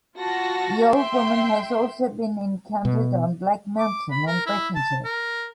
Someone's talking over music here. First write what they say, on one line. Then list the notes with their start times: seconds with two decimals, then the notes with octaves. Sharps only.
The Old Woman has also been encountered on Black Mountain in Breconshire.
0.16 F4 F#4 A5 A#6
0.92 E5 G5 C6
2.85 B2
3.79 D6
4.11 B5
4.27 A#4
4.46 E4
4.75 A5
5.04 A#4